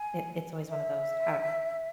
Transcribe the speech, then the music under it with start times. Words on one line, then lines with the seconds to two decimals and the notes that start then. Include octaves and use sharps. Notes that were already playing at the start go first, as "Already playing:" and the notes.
it it's always one of those har m m
Already playing: G#5
0.69 E5